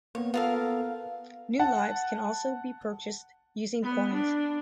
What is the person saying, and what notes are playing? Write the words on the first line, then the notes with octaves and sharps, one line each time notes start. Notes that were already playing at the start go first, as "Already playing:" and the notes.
New lives can also be purchased using coins.
A#3 B3 C#5
B3 F4 A4 A#4 F5
F#5 A5
B3
D4